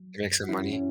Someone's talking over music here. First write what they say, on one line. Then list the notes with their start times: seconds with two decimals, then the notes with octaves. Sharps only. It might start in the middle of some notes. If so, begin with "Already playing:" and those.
Make some money?
Already playing: F#3
0.20 F#2
0.44 F#4
0.49 E3 C#4 E4
0.73 C#4